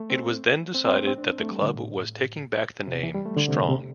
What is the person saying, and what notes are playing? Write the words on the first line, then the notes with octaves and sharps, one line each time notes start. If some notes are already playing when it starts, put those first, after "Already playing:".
It was then decided that the club was taking back the name "Strong".
Already playing: A3
C4
C4
C4
A3
C4
D4
C4
A3
G3
D3
A2
C3
E3
G3
A3
D3
C3
A2
C3